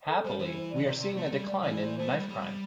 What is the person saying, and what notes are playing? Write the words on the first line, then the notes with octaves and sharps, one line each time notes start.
Happily, we are seeing a decline in knife crime.
A4
G3 C5
E3 C5
D5
D3
C3
C3
A3
G3
D5
E3 D5
C5
A3
G3
G3
G3